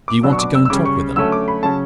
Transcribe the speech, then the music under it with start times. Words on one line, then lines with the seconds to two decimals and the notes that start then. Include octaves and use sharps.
"Do you want to go and talk with them?"
0.08 D6
0.23 B2 F#3 B3 D4 E6
0.32 C#6
0.39 D6
0.55 E6
0.65 E6
0.70 C#3 G3 C#4 D6
0.86 C#6
1.16 D3 F#3 A3 C#4 E6
1.32 D6
1.48 B5
1.63 C#3 F#3 C#4 A5